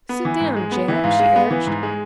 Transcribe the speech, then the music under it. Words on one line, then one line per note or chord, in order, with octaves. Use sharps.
"Sit down, Jap," she urged.
B3
E3
G#2
G#3
B3
E3
E5
G#2 F5
G#3
B3
E3
G#2
G#3